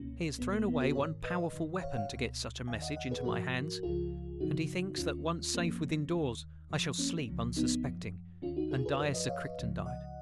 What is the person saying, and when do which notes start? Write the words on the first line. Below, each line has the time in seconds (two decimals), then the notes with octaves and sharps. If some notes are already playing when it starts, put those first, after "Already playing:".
He has thrown away one powerful weapon--to get such a message into my hands--and he thinks that once safe within doors, I shall sleep, unsuspecting, and die as Sir Crichton died.
Already playing: C#2 B2 A#3 C#4
0.38 C#2 B3
0.42 B2
0.52 A#3
0.67 B3
0.81 F#4 A#4
0.95 G#2 D#3 A#4 C#5
1.24 B4 D#5
1.53 F#2 D#3
1.82 C#5 F5
1.92 F#5
1.95 C#5 F5
2.10 C#2 B2
2.67 D#2 D#3 F5 G#5
2.82 D#5 F#5
2.96 D#5 F#5
3.11 G#4 B4
3.25 G#2 F3 F#4 A#4
3.83 C#2 C#3 F3 F4 G#4
4.40 F#2 C#3 F3 D#4 F#4
4.97 D#2 D#3 C#4 F4
5.55 F#2 F3 A#3 C#4
6.13 D#2 D#3
6.69 F2 F3
6.98 A#3 C#4
7.28 C#2 C#3 F3
7.56 B3 D#4
7.85 F#2 F3
8.42 D#2 D#3 C#4 F4
8.57 D#4 F#4
8.71 F4 G#4
8.86 G#4 B4
8.99 F#2 A#4 C#5
9.04 F3
9.14 B4 D#5
9.28 C#5 F5
9.57 C#2 C#3 F3
9.86 D#5 F#5